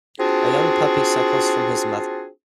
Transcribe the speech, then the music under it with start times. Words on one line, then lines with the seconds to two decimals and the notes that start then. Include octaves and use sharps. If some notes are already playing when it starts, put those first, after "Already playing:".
A young puppy suckles from his mother.
0.20 C4 D4 F4 F#4 G#4